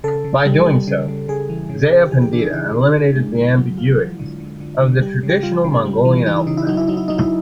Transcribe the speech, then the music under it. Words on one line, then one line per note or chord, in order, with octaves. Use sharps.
By doing so, Zaya Pandita eliminated the ambiguities of the traditional Mongolian alphabet.
C#3 A4
C#3
G3
G3
C#3
C#3
C#3 G#4
E3
C#3
C#3
G4
E3 G#4
G4
E3 D4
E4
D#4
C#3 E4
C#3
C#3
G#3
D3
F#3
F#3 F4
F#3
D3
D3
D3
D3
G3 G4
C#3
G4
G3 F4
C#3
G3
E3
E3 D#4
E4
C#3 D#4
E4
F#3 D#4
E4
F#3 D#4
E4
F#3 D#4
E4